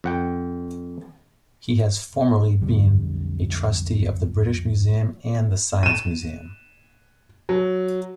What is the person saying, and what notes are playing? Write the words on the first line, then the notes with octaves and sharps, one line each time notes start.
He has formerly been a Trustee of the British Museum and the Science Museum.
F2 F#5 G5
B1 F2 D3 G3
D#7 E7
F#3